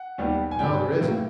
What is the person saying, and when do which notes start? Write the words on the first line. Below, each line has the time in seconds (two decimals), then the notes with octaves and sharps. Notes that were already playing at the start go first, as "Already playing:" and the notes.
"No, there isn't."
Already playing: F#5
0.18 D#2 D#3 G3 B3
0.51 G#5
0.59 G2 D3 G3 G5
1.00 A2 F#3 A#3